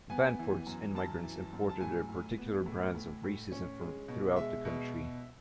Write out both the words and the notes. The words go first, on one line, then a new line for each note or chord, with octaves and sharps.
Vanport's in-migrants imported their particular brands of racism from throughout the country.
B3 G#5
E3
F#2
F#2 A5
E3
F#2
A5
A2 G#5
A2
B3
A2
A2
A2
C#4
G#3
B2
G#3 E5
B2